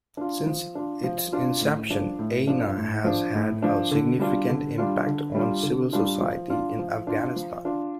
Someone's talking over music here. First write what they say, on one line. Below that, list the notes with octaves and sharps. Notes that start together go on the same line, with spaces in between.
Since its inception, Aina has had a significant impact on civil society in Afghanistan.
D4 F4
F3
D4 F4
F3
D4 F4
A2
F3 D4
A2
F3 D4
A2
F3 D4
A2
F3 D4
D3
G3 D4 F4
D3
G3 D4 F4
D3
G3 D4 F4
D3
G3 D4 F4
F3
D4 F4
F3
D4 F4
F3
D4 F4